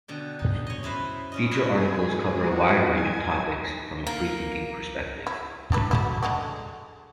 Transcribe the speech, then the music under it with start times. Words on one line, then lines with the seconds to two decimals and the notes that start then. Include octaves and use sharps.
Feature articles cover a wide range of topics from a freethinking perspective.
0.08 B2 D3 G5
0.39 D#4
0.67 C#5 D#5
0.83 F#2 E4 B4 C5
1.32 E2 C#4 D#5
1.51 C#4 D4 E4 F#4 C#5 D#5
1.78 G#4
2.16 G#3
2.51 F#3
2.97 G#5
4.07 A#3
5.27 E4
5.72 D4 E4 B4
5.91 F#3 A3 E4
6.23 D3 G#3 F#4